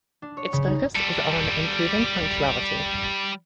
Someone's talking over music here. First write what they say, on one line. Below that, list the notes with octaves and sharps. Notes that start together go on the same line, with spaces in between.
Its focus is on improving punctuality.
D4
C#5
C#3
D#4
G3 A4